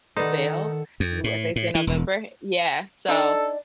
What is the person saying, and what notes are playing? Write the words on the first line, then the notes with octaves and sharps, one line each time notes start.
fell ooh, if they say November Yeah, so
D#3 D#4 A4 B4 D5 F#5 C6
F2
A2
A2
E3
E1
D4 D#4 A4 D5